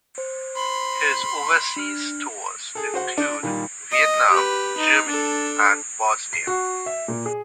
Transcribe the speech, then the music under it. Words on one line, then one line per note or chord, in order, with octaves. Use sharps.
His overseas tours include Vietnam, Germany and Bosnia.
C5
B5 C6
D4 F6
G#4 A4
F#4 C5 F#5
D4
A#2 D#3 G3
D#5
G4 B4
D#4
D4 A4
C7
F#4
E5
A#2
G#4